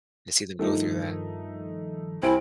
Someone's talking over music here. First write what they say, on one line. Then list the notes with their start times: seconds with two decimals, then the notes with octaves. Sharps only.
And to see them go through that.
0.59 G2 D#3 F3 A3 D#4
2.23 C2 C4 E4 G#5 D7